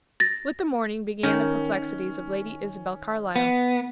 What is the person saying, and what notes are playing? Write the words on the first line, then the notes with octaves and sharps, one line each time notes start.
With the morning began the perplexities of Lady Isabel Carlyle.
A6 A#6
D#3 C#4
B3